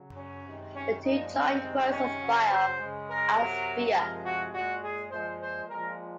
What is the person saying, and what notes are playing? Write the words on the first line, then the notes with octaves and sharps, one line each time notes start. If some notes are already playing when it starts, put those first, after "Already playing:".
The two joined words are "bio" and "sphere".
Already playing: C#3 F#3
C#4
C3 D#3 G#3
C#4
A#2 F3 G#3 D#4
C4
C3 D#3 G#3
C#4
C#3 F#3
C5
C#3 G#3
A#4
C3 F#3 A#4
C3 F3 G#3 A#4
F#4
A#2 G#3 F#4
G#4
A#2 F3 G#3 C5
C5
A#2 F3 G#3 A#4